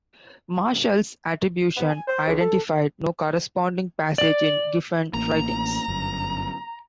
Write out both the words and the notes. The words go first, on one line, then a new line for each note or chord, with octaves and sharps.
Marshall's attribution identified no corresponding passage in Giffen's writings.
B3
G#5
C5
C#2
A4
D5
A1 A#3 A#5
G1 F#2